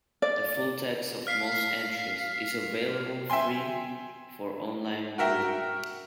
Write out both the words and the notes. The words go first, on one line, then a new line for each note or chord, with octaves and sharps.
The full text of most entries is available free for on-line viewing.
D5
F5 F6 B6 C7
E5 G5 G#5 C6
F#4 A#4 E5 G5